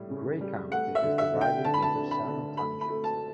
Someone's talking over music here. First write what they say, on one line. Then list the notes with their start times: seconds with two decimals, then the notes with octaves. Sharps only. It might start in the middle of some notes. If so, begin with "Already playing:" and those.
Gray County is divided into seven townships.
Already playing: A2 G3
0.10 C#3
0.41 G3
0.72 A3 F#5
0.95 E5
1.03 D3
1.18 E5
1.33 D3
1.41 G5
1.65 D3 A5
1.74 B5
1.82 A5
1.95 D3
2.11 B5
2.27 D3
2.57 A3 B5
2.81 B5
2.89 A3
3.04 A5